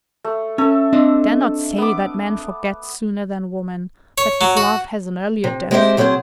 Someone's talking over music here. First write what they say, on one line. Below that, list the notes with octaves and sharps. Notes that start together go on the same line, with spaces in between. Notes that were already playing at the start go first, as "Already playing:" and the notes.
Dare not say that man forgets sooner than woman, that his love has an earlier death.
A3
C#4 A4 E5
C4 D4 D#5
B3 D6
C#5
F#3
F#4
C3
G#3 C4 G4 G#4 C5 E5
C3 F#3 C4 G#4 C5